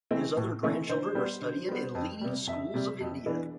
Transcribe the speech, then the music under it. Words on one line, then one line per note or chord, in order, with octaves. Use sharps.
His other grandchildren are studying in leading schools of India.
E3 A3 C4
A2
E3 A3 C4
D3 C5
G3 B3
D3
G3 B3
F2
C3 G3
F2 E5
C3 G3
F2
E3 B3 D4